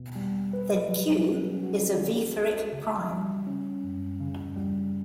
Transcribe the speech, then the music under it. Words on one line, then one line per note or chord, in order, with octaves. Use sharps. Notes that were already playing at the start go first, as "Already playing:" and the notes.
Then "q" is a Wieferich prime.
Already playing: E2 B2 B3
G3
B4
F#3
C#4
F#4
C#2
C#2
C#3
G3
C#4
F#2
C#3
G3